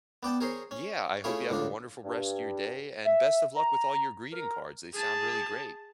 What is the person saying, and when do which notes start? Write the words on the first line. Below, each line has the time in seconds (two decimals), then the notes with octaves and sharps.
Yeah, I hope you have a wonderful rest of your day, and best of luck with all your greeting cards, they sound really great.
0.23 B3 D5 G5 A5
0.41 G#4 A#4 C5 C#5 C6
0.71 C#4
1.24 A3 C#4 E4 F4 G#4 C#5
1.49 C#2 A2 D3 D4 F4
2.04 G2
3.05 E5
3.56 A#5
4.32 A#4
4.93 G#4 A5